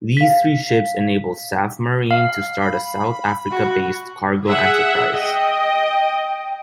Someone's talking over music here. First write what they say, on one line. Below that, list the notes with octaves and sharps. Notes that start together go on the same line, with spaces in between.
These three ships enabled Safmarine to start a South Africa-based cargo enterprise.
F5 B6
F5
B5
F#4
G#4 E5 F#5
D#5 G5